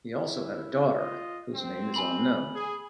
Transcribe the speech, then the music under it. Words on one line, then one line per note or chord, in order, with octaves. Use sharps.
He also had a daughter, whose name is unknown.
E4
F4 D#5
C4
G#5 B5 F#7
G#4